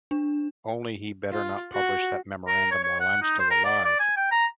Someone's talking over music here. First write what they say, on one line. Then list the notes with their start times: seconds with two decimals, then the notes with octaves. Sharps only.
Only he better not publish that memorandum while I'm still alive!
0.11 D4
1.31 F4
1.74 F#4
2.48 A#4
2.71 C#5
2.84 C#5
3.00 F#5
3.22 D#4
3.39 C5
3.51 A#4
3.65 D5
3.85 D5
3.99 G#5
4.16 G5
4.31 A#5